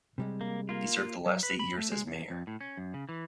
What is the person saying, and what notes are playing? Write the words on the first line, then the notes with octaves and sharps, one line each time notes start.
He served the last eight years as mayor.
C3 G3 G#3
A#3
A#3 F4
F#3
B4
B5
A3
G#3
E2
F2
A2
C#4
F#2
C#3
E3